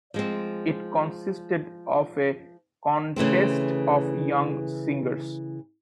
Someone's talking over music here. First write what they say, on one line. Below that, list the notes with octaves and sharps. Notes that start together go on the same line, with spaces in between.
It consisted of a contest of young singers.
F3 G#3 C4
C#3 E3 A3 C4